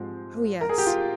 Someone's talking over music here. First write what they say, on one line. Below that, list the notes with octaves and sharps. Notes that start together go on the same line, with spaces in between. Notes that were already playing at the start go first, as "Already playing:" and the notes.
"Oh yes."
Already playing: G#2 F3 G#3 C4 G4
A#4
G#4
G4
F4